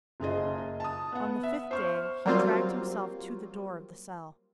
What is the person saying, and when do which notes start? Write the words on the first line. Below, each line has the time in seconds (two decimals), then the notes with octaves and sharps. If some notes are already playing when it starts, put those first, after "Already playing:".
On the fifth day he dragged himself to the door of the cell.
0.20 F#1 F4 G#4 D#5
0.80 A5 D#6
1.12 B3 F#5
1.43 E5
1.71 C5 C#6 F6
2.25 F#3 G3 A#3 C4 F4